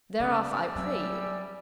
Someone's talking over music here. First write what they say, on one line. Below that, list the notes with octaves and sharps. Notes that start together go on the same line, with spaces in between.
Thereof I pray you.
C#3 G3 D5
F#3 C4 E5 G#5 E6